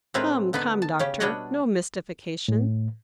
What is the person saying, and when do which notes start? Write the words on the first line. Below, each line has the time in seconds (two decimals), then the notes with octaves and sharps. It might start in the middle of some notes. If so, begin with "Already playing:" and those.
"Come, come, Doctor, no mystification."
0.14 A2 G#3 C4 D4 A#4 B4
0.53 D3 B3 D#4 B4
0.82 A5
0.99 C#3 C#4 G4
1.20 B2 G3 D4 C#5 D#5 F#5
2.48 A2